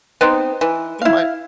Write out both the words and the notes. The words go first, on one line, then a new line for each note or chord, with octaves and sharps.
It might
B3 C4 D#4
E3
E4 F5